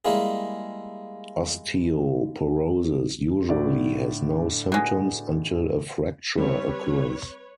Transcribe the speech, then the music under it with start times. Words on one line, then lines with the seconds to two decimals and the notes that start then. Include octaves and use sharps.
Osteoporosis usually has no symptoms until a fracture occurs.
0.05 G3 G#3 A#3 E4 G#4
3.49 A2 D3 D5
4.72 B2 G#3
6.38 G3 C4 B4 C#5